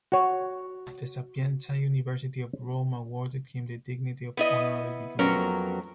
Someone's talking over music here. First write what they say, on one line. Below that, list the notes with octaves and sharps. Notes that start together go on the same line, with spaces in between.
The Sapienza University of Rome awarded him the dignity of Honorary degree.
F#4 C#5
B3 E4 D#5
F2 F#3 B3 C#4 A#4